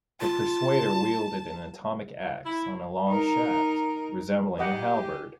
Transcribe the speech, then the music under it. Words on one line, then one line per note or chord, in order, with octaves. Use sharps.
The Persuader wielded an "atomic axe" on a long shaft, resembling a halberd.
F4 A5
E4
D#4 A#4
G#3 G4 D#5 F#5